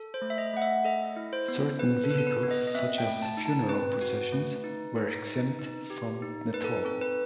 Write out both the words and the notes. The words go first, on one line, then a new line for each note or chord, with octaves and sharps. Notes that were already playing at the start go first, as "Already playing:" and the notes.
Certain vehicles, such as funeral processions, were exempt from the toll.
Already playing: A4
C5
A3
E5
D#5
A3 F#5
E5
A4 D#5
E4
C5
B3
B3 B4
A4
B3 B4
A4
B4
B3
D#5
D#5
C4 E5
G5
A3
A5
D#4
A5
C4 B4
F#4
A3
D#4
D#4
D#4
D#4
G4
D#4
D#4 B4
A4
C4 A4
B4